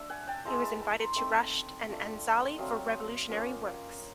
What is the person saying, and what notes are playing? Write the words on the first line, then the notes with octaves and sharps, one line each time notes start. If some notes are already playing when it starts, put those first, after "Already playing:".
He was invited to Rasht and Anzali for revolutionary works.
Already playing: D4 E5
F#5 G#5
G5 A5
G#3 B3 E4 A#5 C6
A5 B5
A5 B5
A#5 C6
A3 C4 D#4 A5 B5
A3 D4 F4
F#3 A3 C4 D#5 F5
A#3 C#4 F4